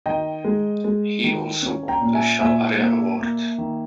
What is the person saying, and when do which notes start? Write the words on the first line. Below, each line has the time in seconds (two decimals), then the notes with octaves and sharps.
He also won the Shell Aria Award.
0.06 D#3 D#5 G5
0.45 G#3
0.84 G#3
1.24 D#3
1.62 C#4
1.88 G5 A#5
2.01 A#2
2.14 E5 G#5
2.40 A#2 E5 G#5
2.79 A#3
3.19 A#3
3.58 D#3